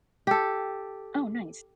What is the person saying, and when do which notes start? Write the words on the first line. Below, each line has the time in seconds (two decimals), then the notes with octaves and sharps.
Oh, nice.
0.27 G4 A4